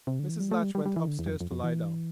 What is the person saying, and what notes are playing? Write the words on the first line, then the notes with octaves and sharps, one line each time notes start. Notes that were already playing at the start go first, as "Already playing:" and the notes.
Mrs. Latch went upstairs to lie down.
C3
D3
E3
G3
A3
G3
G3
G3
E3
D3
E2
G2
F2
F2
F2
E3